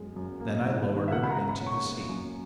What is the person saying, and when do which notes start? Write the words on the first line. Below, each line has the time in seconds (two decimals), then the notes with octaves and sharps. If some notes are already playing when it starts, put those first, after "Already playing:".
Then I lowered her into the sea.
Already playing: F#2 G#3
0.16 F#2
0.40 A#3
0.64 G#2
0.89 D#3
1.08 E5
1.12 C#3 F#5
1.23 B5
1.31 A#5
1.37 G#3
1.49 B5
1.61 C#4
1.66 C#6
1.85 A#3
2.09 F#2